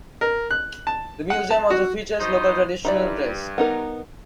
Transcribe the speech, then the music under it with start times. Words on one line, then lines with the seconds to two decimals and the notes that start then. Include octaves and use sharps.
The museum also features local traditional dress.
0.21 A#4
0.51 F#6
0.87 A5
1.30 F#5
1.51 A5
1.70 F#4
2.20 B2 D#4 C5
2.85 G2 D#4 E4 D5
3.58 B3 D#4 A#4